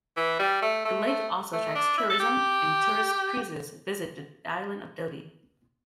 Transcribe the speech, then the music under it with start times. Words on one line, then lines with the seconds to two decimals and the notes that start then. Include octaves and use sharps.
The lake also attracts tourism, and tourist cruises visit the island of Dodi.
0.17 E3
0.39 G3
0.62 A3
0.85 A3
1.07 A3
1.53 A3
1.75 D4
1.98 E4
2.10 A4
2.20 G4